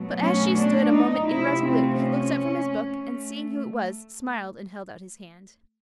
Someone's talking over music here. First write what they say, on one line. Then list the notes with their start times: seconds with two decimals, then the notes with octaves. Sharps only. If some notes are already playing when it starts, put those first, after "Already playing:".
But as she stood a moment irresolute, he looked up from his book, and seeing who it was, smiled and held out his hand.
Already playing: B2 F#3 A3
0.20 C#4
0.56 D4
0.92 D#4
1.28 C3 F3 A3 E4
1.64 C4
2.00 C#4
2.72 A3